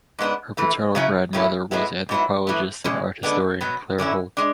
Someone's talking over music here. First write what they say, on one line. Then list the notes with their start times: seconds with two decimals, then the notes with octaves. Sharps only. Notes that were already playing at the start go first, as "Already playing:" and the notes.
Her paternal grandmother was anthropologist and art historian Claire Holt.
0.19 G#2 G#3 B3 D4
0.57 A2 E3 A3
0.95 C#3 F#3 C#4 E4
1.33 A2 F#3 A3 C#4 E4
1.71 A2 G#3 B3 E4
2.09 G#2 F#3 B3 E4
2.47 A2 E3 B3
2.84 E2 B2 G#3 C#4
3.23 D3 G#3 B3 D4
3.61 B2 F#3 B3
3.98 D3 F#3 C#4 E4
4.37 G#3 D4